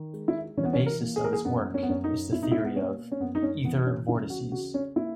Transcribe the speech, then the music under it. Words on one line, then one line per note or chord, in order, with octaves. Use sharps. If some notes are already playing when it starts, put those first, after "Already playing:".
The basis of his work is the theory of "ether vortices".
Already playing: D#3
G#3
E4
E3 C#4
B3
C#4
A#4
A#3
G#4
A#4
G#4
F#2 B3
C#4
B3
F#2 C#4
D#4
B2 E4
D#4
E4
B3
A#3 C#4
C#4
F#2 B3
D#4
C#4
E3 B3
C#4
C#3 E4
F#4
C#3 F#4
C#4
A#3 E4